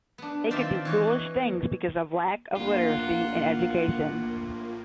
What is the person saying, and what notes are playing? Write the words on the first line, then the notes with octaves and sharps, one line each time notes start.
They could do foolish things because of lack of literacy and education.
B3 D4
D#3 C4 F4 D5 E5
E3 C#5 D#5
A#1 A2 A#3 F4 F#5